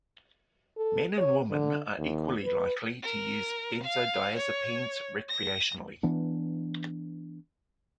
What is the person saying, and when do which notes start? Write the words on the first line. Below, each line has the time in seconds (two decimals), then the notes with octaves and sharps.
Men and women are equally likely to use benzodiazepines recreationally.
0.77 A4
1.18 C#5
1.51 D3
1.98 D#2
2.44 B4
3.02 A#4
3.83 F5
4.36 C#5
5.29 A#6
6.03 E3 B3 D4